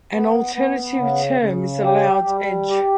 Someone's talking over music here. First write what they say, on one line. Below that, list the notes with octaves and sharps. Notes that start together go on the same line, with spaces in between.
An alternative term is allowed edge.
B3
B3
C#3
C#3
G4
G3
G4